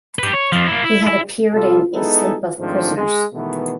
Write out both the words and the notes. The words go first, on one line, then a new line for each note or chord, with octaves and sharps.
He had appeared in "A Sleep of Prisoners".
G4 B4
C#5
F2 F3
A#3 E4
E4
E4
C3 G3 F4 A4
G#3 B3 D#4 E4 G#4 A4
G#2 D#3 F3 A3 C4 D4
G#3
B2 D#3 E3 G#3 A3 B3